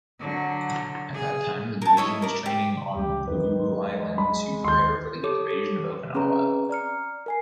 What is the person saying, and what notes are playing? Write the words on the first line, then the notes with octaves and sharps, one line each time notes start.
At that time, the division was training on Pavuvu Island to prepare the invasion of Okinawa.
D3 F#3
G#4
A#4 A5
E4 C#5 D#5
A#4 D5
G4
C#2 F#2 F#3 G4
E2 D#3 F#3 B4
G#3
B5
D#2 D#3 C6 G6
G4 A4 C#5 D6
C4 C#4 G#4 B4 C#5 A#5
D5 A#5 F6 C#7
A#4 G#5 C7